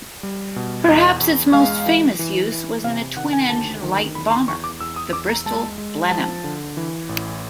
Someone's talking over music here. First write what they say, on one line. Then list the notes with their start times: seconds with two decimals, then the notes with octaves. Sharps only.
Perhaps its most famous use was in a twin-engine light bomber, the Bristol Blenheim.
0.23 G3
0.56 B2
0.88 E2 D#5
1.20 E2
1.53 G#3 F5
1.86 E3
2.19 E3
2.52 E3
2.84 C3 F5
3.16 D#3 F#5
3.33 G#5
3.49 D2 A5
3.83 D#3
4.15 E2 B5
4.31 C6
4.48 E2 C#6
4.64 D6
4.80 E2 E6
4.96 D#6
5.13 E2 D6
5.29 A#5
5.46 G#3 A5
5.78 G#3
6.11 F3 A5
6.44 D3
6.77 E3
7.09 A1